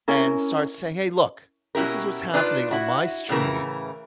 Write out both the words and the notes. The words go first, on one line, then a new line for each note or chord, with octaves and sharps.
and start saying, "Hey, look, this is what's happening on my street.
C#4 E4 A#4
B2 C#4 E4 G4 A#4
D4 D#4 F4 B4
E4 F#4
A2 C#3 E3 A#4